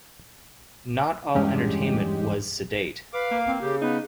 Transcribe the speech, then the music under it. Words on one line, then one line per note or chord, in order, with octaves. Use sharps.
Not all entertainment was sedate.
E2 G2 G#3 C#4 G4
B4 F5 D6
A#3
C4
C#3 G4
B3 D#4